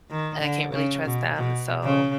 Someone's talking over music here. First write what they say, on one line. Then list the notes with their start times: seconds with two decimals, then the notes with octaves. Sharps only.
that I can't really trust them so,
0.10 D#3
0.42 D3
0.73 C#3
1.05 B2
1.36 B2
1.83 C#3